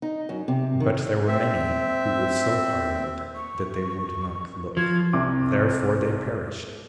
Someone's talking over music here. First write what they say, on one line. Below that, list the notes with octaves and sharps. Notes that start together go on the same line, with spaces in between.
But there were many who were so hardened that they would not look, therefore they perished.
D#4
F#2
C3
D#3
C4 E5
C#6
F3 G#6
C2 C4 D6